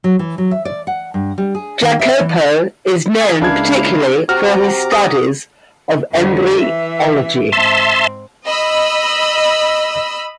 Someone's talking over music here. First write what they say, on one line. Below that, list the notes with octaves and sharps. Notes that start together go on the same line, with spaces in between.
Jacopo is known particularly for his studies of embryology.
F#3
E3
F#3
E5
D5
F#5
G2
G3
G#4
D#3
E5
E3
C#3 A#3 G#5 D#6
C#2 G#3 A#3 D4 E4 F5 G#6
C3 F#4 A#5 D6 F6
D#6
F2 D3
E3 E5
G#2 C4 E5 A5 C6
D#5 B5 E6